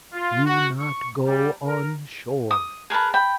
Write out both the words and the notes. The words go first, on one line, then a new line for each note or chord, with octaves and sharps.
Do not go on shore.
F4
F#4
C#6
G3
A#4
D#6
G#4 A#4 B4 A5
G5 B5